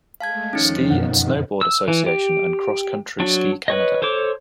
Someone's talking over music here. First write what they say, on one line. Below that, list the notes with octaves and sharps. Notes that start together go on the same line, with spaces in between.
Ski and Snowboard Association and Cross Country Ski Canada.
G#3 A3 F5 A5 G#6
F2 D#3 F3 C#4 D#4 C#5
F#2 B2 F#5
E6
E3
G4
F#3 D4
B4 C#5 D#5
A4 C5 C#5 D6